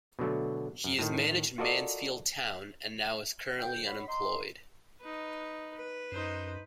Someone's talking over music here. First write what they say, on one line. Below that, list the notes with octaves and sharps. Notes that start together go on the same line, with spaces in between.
He has managed Mansfield Town, and now is currently unemployed.
B2 D3 F#3 A3
F#2
A2 D#3
F4 F#4 A4 A#4 D5 D#5
D2 G5
C#5 F#5 B5
D#5 A#5 C6
D#4 B4
B4
F#2 D#4 C5